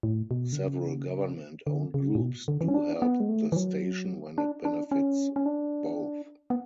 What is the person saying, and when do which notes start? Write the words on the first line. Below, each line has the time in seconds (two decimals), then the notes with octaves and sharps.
Several government-owned groups do help the station when it benefits both.
0.03 A2
0.31 B2
0.53 D3
0.58 C#3
1.67 D3
1.94 C#3
2.15 A2
2.21 B2
2.48 D3
2.61 E3
2.68 C#4
2.74 D4
3.02 B3
3.20 G#3
3.29 A3
3.52 E3
3.56 F#3
4.38 D4
4.65 D4
4.91 C#4
5.36 C#4
5.46 D4
6.50 B3